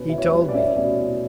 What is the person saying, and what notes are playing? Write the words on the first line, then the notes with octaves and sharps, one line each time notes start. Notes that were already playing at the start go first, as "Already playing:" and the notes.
He told me.
Already playing: B2 C#4 B4
E4
C#5
B4
G3
D5
C#4 E5
B2 D5
E4